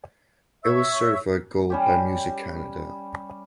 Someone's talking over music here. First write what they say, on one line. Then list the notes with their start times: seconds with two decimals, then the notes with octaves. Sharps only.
It was certified Gold by Music Canada.
0.63 C#5 E5 C#6 E6
1.70 G3 C#4 G4